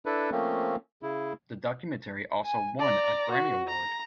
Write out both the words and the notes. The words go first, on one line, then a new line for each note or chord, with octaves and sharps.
The documentary also won a Grammy Award.
D4 E4 A4 B4
F3 A3 A#3 C4 C#4
C#3 E4
G#5
D5 A#5
F#4
A#5